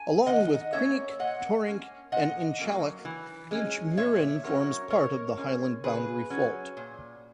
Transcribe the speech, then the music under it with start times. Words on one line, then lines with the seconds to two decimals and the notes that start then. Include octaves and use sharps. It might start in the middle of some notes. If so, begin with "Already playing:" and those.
Along with Creinch, Torrinch, and Inchcailloch, Inchmurrin forms part of the Highland boundary fault.
Already playing: G#5
0.26 D#3 D#5 F#5
0.72 A#3 C#4 C#5 E5
1.19 A#2 D#5 F#5
1.66 A#3 C#4
2.12 A#2 D#5 F#5
2.59 F#3 A#3 C#4
3.05 E3
3.51 G#3 C#4
3.97 A#2 C#5 E5
4.44 F#3 C#4 A#4 C#5
4.90 B2 A#4 C#5
5.37 G#3 C#4
5.84 C#3 G#4 B4
6.30 F#3 C#4
6.77 A#2